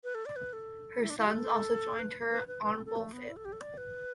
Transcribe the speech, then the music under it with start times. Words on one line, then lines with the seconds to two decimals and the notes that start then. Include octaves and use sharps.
Her sons also joined her on Wolf It.
0.04 B4
0.15 A4
0.26 D5
0.36 B4
0.53 A4
1.02 E4
1.10 D4
1.18 E4
1.26 G4
1.34 A4
1.99 B4
2.31 B4
2.48 B4
2.64 B4
2.75 A4
2.86 A4
2.96 A3
3.13 B3
3.29 E4
3.37 A4
3.45 G4
3.52 A4
3.61 D5
3.77 B4